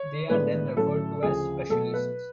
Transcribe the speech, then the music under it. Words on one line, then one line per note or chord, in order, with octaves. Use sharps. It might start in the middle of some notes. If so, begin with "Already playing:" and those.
They are then referred to as "Specialists".
Already playing: C#5
A2 G#3 B3 D4 B4
A2 F#3 C#4 A4
D2 C#3 F3 G#4
B2 F#3 A3 A4
B4